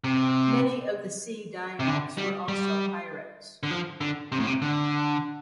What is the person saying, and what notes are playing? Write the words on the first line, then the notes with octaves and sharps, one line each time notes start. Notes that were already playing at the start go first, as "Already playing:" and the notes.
Many of the sea dayaks were also pirates.
C3
C3
D3
G3
G3
D3
F3
D3
C3
A2
C3
D3